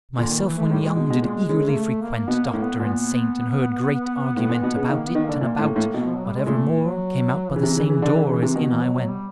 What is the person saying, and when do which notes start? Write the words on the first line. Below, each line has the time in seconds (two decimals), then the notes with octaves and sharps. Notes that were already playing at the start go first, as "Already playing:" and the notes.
Myself when young did eagerly frequent Doctor and Saint, and heard great Argument About it and about: but evermore Came out by the same Door as in I went.
0.18 A#2 D3
0.32 D#3
0.45 E3
0.58 A3
0.65 G#3
0.71 A2 G3
0.81 A#2 G#3
0.97 B2
1.10 B2
1.22 A#2
1.49 C#3
1.68 A#3
1.75 A3
2.02 A#3
2.28 B2 B3
2.45 A#3
2.54 A2
2.62 B3
2.80 A#2 B3
4.37 A2
4.49 A#2
4.63 B2
4.76 C#3
4.89 D#3 A#3
5.07 B3
5.15 D#3
5.24 D3 A#3
5.41 A#2 A#3
5.59 A2
5.76 A2
5.94 B2
6.04 F3
6.15 F#3
6.25 G3
6.35 G#3
6.46 A#2 A3
6.81 F#3
7.50 E3
7.56 C#3
7.63 C3
7.77 C#3
7.90 C#3
8.02 D3
8.16 C#3
8.29 C#3
8.43 C3
8.55 B2 D#3
8.68 E3
8.81 F#3
8.94 F#3
9.08 G3